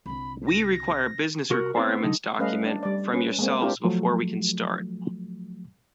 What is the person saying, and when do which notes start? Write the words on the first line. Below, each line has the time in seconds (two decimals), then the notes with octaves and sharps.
We require a business requirements document from yourselves before we can start.
0.06 C2 D3 B5
0.46 A#6
1.50 C2 F#4 A#4
1.76 B3 C4 E4 A4 C5
2.03 C2 D3 F#3 D#4
2.39 G3 A3 C#4 B4 D#5 F5
2.65 D4
2.83 G3 D5
3.13 C#4 B4
3.39 G#3 A#3 C4
3.61 C4 D4 E4 F4 G4 A#4
3.84 F3 F#3 A3